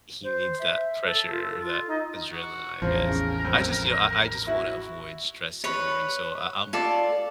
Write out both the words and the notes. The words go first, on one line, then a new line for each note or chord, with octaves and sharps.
He needs that pressure, that adrenaline, I guess, I just, you know, I I just wanna avoid stress in the morning, so, I I'm
C5
E5
A4
F4
A4
F4
D#4
F#4
A1 E2 F3 A#4
C#3
F2
E4 F#4
B4 C#5
F4 A4 D5